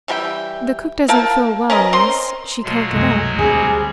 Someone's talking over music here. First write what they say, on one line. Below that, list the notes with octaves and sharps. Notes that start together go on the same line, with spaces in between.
'The cook doesn't feel well, miss; she can't get up.'
E3 G3 A#4 G5
A#3 A#4 G5 A5
C#4 A#4 B4 D#5
C4 A#4 D#5 C6
B2 F#3 G#3 F4 C6
C2 F#2 A3 D#5 G#5
D2 G3 C4 G#4